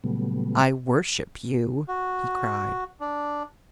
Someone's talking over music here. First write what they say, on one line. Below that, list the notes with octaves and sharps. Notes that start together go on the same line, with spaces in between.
"I worship you," he cried.
A#2 C#3 F#3 G3 A3 B3
F#4
D4